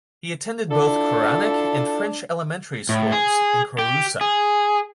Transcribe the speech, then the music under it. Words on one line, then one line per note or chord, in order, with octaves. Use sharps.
He attended both Koranic and French elementary schools in Kouroussa.
D4 E4 F4 A4
A2
G#4
G4
G#4